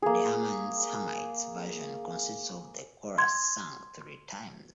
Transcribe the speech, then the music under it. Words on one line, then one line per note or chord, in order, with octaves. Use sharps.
The Herman's Hermits version consists of the chorus sung three times.
A#3 G#4
C6 G#6